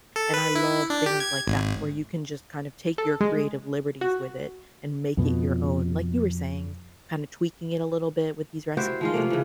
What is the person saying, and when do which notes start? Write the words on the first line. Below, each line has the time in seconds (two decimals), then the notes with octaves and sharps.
and I love things like that where you can just kind of take your creative liberties with it and make it your own, like you were saying, kinda tweaking it a little bit with these recipes,
0.16 A4
0.34 B4
0.55 E4
0.90 D4
1.06 G4
1.20 G#6
1.47 G#1
2.98 A4
3.21 G#3
4.01 F#4
5.17 F2 B2 F3
8.77 E4 F#4 G4 C5
9.01 F3 G#3 F4
9.14 C3 A3 A#3
9.30 C#3 E3